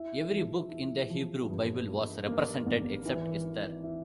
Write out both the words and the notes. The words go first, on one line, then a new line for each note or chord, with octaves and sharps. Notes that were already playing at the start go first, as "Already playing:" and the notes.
Every book in the Hebrew Bible was represented except Esther.
Already playing: E4
F3
E4
F3
G2
A#3
A#3
G#1
E3
E3
E4